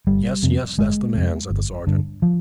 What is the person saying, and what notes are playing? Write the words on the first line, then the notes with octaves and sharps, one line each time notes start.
'Yes, yes; that's the man,' said the sergeant.
G1 G3
F2 C3
G1 G#3
F2 C3
G1
G2 D3
F3